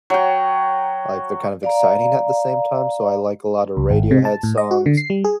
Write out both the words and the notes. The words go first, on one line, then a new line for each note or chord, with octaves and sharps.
like, they're kind of exciting at the same time. So, I like a lotta Radiohead songs,
F#3 G5
D5 F5 A#5
C#2
G#1
C3
A5
A2
D#5
F#4
D3
C7
G3
G#4